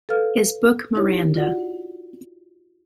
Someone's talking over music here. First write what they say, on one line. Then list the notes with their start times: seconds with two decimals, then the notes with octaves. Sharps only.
His book Miranda.
0.09 A4 B4 F5 F6
0.95 D#4 E4 G4 C#5
1.34 F4 F#4 D5 F#5